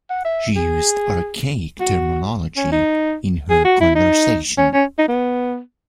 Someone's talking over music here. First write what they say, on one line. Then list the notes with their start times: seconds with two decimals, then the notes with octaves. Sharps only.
She used archaic terminology in her conversation.
0.10 F#5
0.25 E5
0.56 G#4
1.80 F#4
2.57 C#4
2.72 D#4
3.50 G#4
3.65 F#4
3.80 E4
3.95 D#4
4.58 C#4
4.73 C#4
4.98 D#4
5.08 B3